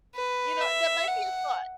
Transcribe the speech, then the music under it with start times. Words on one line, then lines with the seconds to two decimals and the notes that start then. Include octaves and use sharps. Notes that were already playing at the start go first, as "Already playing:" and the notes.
You know, that might be a thought.
0.16 B4
0.61 E5
1.08 F#5